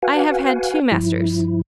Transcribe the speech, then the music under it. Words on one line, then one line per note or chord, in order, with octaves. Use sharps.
I have had two masters.
F#4 B4 F5 F#5 G#5
G2 F3 E4